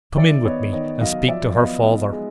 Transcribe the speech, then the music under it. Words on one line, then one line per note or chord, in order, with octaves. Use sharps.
'Come in with me, and speak to her father.'
D#3 D5 E5
B3 C#5 D#5
D#3 C#5 D#5
F#3 D#5 F5
F3 D5 E5
B3 D#5 F5
D#4
G#3